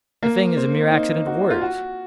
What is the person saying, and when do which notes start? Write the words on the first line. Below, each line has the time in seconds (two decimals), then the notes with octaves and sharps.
The thing is a mere accident of words.
0.23 A#3
0.57 C4
0.91 D#4
1.26 F#4
1.50 F4
1.61 F#4